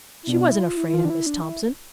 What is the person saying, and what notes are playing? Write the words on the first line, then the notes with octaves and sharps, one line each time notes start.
She wasn't afraid of Miss Thompson.
E4
B2 D4
E4
F4
E4
E4
E3 F4
D4
E4
D4
E4